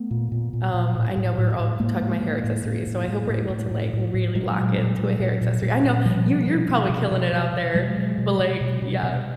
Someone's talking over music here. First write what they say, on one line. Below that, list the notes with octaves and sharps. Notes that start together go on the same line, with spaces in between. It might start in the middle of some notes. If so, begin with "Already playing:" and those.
um, I know we're all talking about hair accessories, so I hope we're able to, like, really lock into a hair accessory. I know, you're you're probably killing it out there, but, like, yeah
Already playing: A3 B3
A#2
A#2
A#2
A#2
A2
A2
A2
A2
A2 G#3 A#3
A2
A2
A2
A2
A2
A2
A2
A2
A2
A2
A2
A#2 F#3 G#3
A#2
A#2
A#2
A#2
A#2
A#2
A#2
B2 F3 G3
B2
B2
B2
B2
B2
B2
B2
B2 F#3 G#3
B2
B2
B2
B2
B2
B2